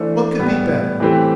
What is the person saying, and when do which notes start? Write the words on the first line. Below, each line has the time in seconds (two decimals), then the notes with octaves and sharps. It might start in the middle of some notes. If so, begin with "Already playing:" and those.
What could be better?
Already playing: E3 A3 D4 A4 C5
0.39 A2 G3 B3
1.00 E3 A3 C4 G4 B4